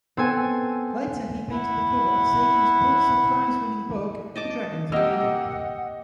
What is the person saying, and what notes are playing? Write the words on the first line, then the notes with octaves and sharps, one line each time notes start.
Later he painted the cover of Sagan's Pulitzer Prize-winning book "The Dragons of Eden".
B3 C4 A4 G#5
E4 F#5
D#5 A5 D6
A#3 G4 D#5 F#5 E6